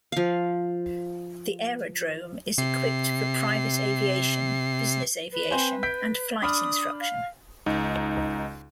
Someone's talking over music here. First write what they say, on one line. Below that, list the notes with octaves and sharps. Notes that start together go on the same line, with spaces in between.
The aerodrome is equipped for private aviation, business aviation and flight instruction.
F3 F5
C3 C7
B4
C4 C5 G#5
G6 B6 D7
D4 B5 D#6 F6
F5
C#2 D#4